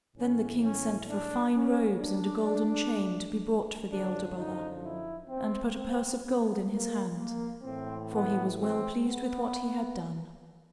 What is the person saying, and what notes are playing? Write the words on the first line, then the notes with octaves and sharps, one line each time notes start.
Then the king sent for fine robes and a golden chain to be brought for the elder brother, and put a purse of gold in his hand, for he was well pleased with what he had done.
A2 E3 C#4
C#4
D4
C#4
D4
F#2 D3 F3 D4
D#4
E4
C4
C4
B3
A#3
A#3
A2 E3 C4
B3
C4
B3